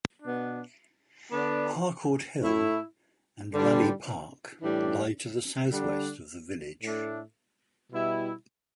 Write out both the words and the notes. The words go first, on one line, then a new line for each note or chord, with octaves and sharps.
Harcourt Hill and Raleigh Park lie to the southwest of the village.
B2 B3 D4
D3 B3 D4
A2 A3 E4
G2 D3 G3 D4
A2 E3 G3 D4
D3 G3 D4
A2 A3 D4
B2 G3 E4